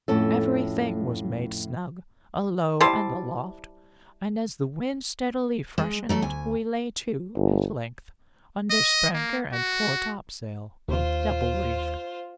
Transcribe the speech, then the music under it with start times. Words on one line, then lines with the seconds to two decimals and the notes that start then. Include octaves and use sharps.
Every thing was made snug, alow and aloft; and as the wind steadily freshened, we lay to, at length, under spanker and foretopsail, both double-reefed.
0.08 F2 A2 C#4 A4
2.81 G3 E4 C5 A5
5.78 G#3
6.09 F#3 A3 A4
6.22 D2 G#5
7.36 G1
8.70 D#5
9.14 A#3
9.52 F#4
10.88 D#2 F4 C5